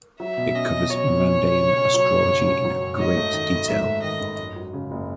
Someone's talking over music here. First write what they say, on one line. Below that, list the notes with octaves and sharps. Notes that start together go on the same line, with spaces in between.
It covers Mandaean astrology in great detail.
F#3 E5
B2
C#4 D#5
B2
F#3 C#5
B2
C#4
B2
C#3
C#4
F#3
F#2
C#3
C#4
F#3
F#2
G#2 D#5
A3
D#3
G#1
G#2 E5
A3
D#3 D#5
G#1
F#2
F#3
C#3
F#1